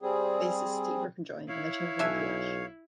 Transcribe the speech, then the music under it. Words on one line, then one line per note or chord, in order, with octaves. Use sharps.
Bassist Steve Rippon joined, and they changed their name to Lush.
G3 C4 G#4
E4 C#5 F5
B1 D4 E5 G#5